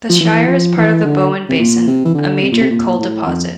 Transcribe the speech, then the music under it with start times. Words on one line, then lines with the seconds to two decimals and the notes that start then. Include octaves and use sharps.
The Shire is part of the Bowen Basin, a major coal deposit.
0.09 F3
0.20 E3
0.48 F3
0.77 E3
1.04 D3
1.49 C3
1.59 A#2
1.87 C3
2.05 E3
2.15 D3
2.43 C3
2.52 A#2
2.61 C3
2.70 A#2
2.98 A2
3.26 F2